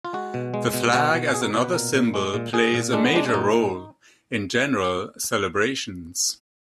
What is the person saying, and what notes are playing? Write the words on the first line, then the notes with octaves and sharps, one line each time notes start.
The flag as another symbol plays a major role in general celebrations.
F4
G#3 F#4
B2
G#3
B2
B2 F#4
B2
B2 G#4
A#4
B2 D5
B4
A#2 A#4
A#2
G#3
A#2
A#2 G#4
A#2
G#3 D4
B3
G#3 D4
D4
A#2 D#4
A#2